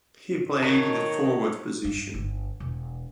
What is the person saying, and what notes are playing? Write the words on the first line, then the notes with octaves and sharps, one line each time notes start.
He played the forward position.
D#3 C#5 D#5 A5
G2
G1
E1